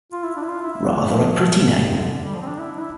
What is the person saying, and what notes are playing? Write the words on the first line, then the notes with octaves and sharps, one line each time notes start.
Rather a pretty name.
F4
E4
D4
E4
F4
E4
E4
D4
A3
F3
C3
D3
G3
F3
C4
D4
E4
D4
E4